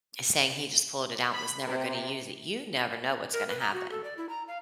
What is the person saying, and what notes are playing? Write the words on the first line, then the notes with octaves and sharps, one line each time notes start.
saying he just pulled it out, and was never gonna use it, you never know what's gonna happen.
B5
C3
A#4
B4
A#5
F#4
A4
D5
E4
A#5
F5